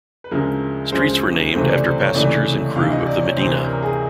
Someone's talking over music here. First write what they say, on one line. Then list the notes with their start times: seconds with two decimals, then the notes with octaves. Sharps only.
Streets were named after passengers and crew of the "Medina".
0.24 B4
0.31 D2 C#3 F3 G#3 A#4
0.92 D2 C#3 F3 G#3 C5
1.53 C#2 C3 E3 A3 C5
1.68 D5
1.84 C5
2.00 C#5
2.14 C#2 C3 E3 A3 D5
2.75 D2 C3 E3 F5
2.90 D#5
3.06 D5
3.22 C#5
3.37 D2 C3 E3 C5
3.52 B4
3.67 A#4
3.82 G#4